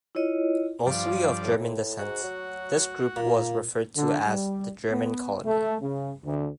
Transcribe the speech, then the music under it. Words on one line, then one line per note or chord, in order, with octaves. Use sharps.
Mostly of German descent, this group was referred to as the "German colony".
E4 F4 C#5 D#5
G2 F3 F4 D5
A2
G#2 F#4
F#3
A#2 A#3
D3
G3
B3
A3
C#3
D2